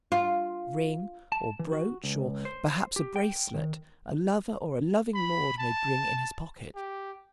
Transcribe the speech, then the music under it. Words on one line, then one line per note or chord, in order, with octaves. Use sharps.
A ring, or brooch, or perhaps a bracelet, a lover or a loving lord may bring in his pocket.
F4
A5
E3
F#4
C#2
C5
G4
G5
D#3
B5
A5
G4